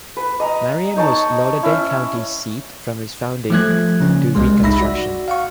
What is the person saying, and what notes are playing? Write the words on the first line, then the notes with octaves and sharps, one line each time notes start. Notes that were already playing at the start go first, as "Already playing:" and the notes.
Marion was Lauderdale County's seat from its founding to Reconstruction.
B4
D#5 A#5
D#4 C#5 A5
C#4 E4
F3 G3 A3 F4 F#6 G#6
C#3 A#3 C#4
C2 G3 G#3 G#4 C6
G1 D#4 E5 B5 E6 A#6
F#4 D5
F5 F#5 C#6